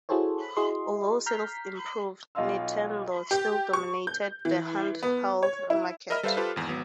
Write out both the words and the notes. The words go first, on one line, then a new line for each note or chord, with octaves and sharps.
Although sales improved, Nintendo still dominated the handheld market.
E4 F#4 G#4 A4 C5 C#5
E4 F#4 G#4 D#5 C6
A#5 F6 G6 B6 C7
B1 F4 D#5 F5 C6 E6
G4
C#6
G6
E3
B3
C#5
E4
A#4 D#5 E5 B5 F6
G3 A4 B4 C5 E5 F5
F4 G4 A4 B4 C5
G#1 E2
G#1 F#3 B3